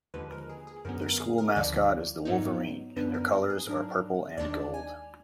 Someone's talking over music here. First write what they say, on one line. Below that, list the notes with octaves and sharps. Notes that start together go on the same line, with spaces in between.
Their school mascot is the wolverine, and their colors are purple and gold.
D#2 D3 F3 G#3 B4
A#4
G#4
G#4
F#2 D3 F#3 B3 A#4
A#4
G#4
A#4
D2 D3 F3 D5
G#2 F#3 B3 D#4
F#2 D3 F3 B3 D4 B4
A#4
A#4
G#4
G#2 F#3 D4 A#4
D#2 D#3 G#3 D4 D5
G#5